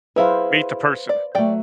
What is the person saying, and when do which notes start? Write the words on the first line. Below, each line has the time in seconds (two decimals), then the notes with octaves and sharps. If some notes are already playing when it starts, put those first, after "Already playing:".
meet the person.
0.16 F#3 E4 G#4 B4 C5 F5
1.09 D5
1.35 F#3 A3 D5 G5